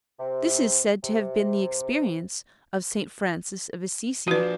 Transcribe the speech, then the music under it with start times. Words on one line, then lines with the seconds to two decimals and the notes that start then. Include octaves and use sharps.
This is said to have been the experience of St. Francis of Assisi.
0.19 C3
1.03 C3
4.28 F3 D4 F#4 B4